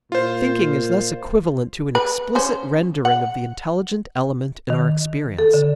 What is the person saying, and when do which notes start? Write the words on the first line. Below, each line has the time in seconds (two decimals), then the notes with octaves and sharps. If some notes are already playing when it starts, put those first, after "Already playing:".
Thinking is thus equivalent to an explicit rendering of the intelligent element in our experience.
0.12 A#2 F4 C5
1.95 B4
2.35 C#4 C5
3.05 F#5
4.70 D#3
5.39 A4
5.54 D3